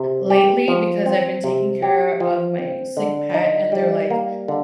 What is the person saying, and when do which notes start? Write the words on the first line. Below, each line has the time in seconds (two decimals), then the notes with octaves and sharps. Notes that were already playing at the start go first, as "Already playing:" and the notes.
lately because I've been taking care of my sick pet, and they're, like,
Already playing: C3
0.30 G4
0.68 F3
1.06 C4
1.44 C3
1.82 G4
2.20 F3
2.59 C4
2.97 D3
3.34 D#4
3.72 G3
4.10 A#3
4.48 D3